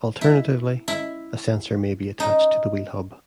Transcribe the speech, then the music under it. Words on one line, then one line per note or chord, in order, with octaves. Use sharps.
Alternatively, a sensor may be attached to the wheel hub.
E4
E4
D#4